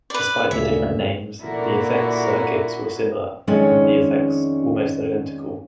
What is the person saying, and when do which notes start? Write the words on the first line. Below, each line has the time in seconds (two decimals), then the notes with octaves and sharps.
Despite the different names, the effects circuits were similar, and the effects almost identical.
0.10 B4 D5
0.51 D2 C#3 E5
1.41 A#2 D3 A#3 E4 F#4 A#4
3.47 F2 D#3 G#3 C#4 D4 C#5